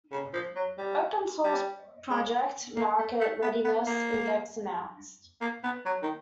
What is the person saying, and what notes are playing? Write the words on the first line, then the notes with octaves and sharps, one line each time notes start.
Open source project market readiness index announced.
C#3
F3
F#3
G3
G3
G#3
A#3
A3
A3
B3
B3
A#3
A#3
B3
F#3
D#3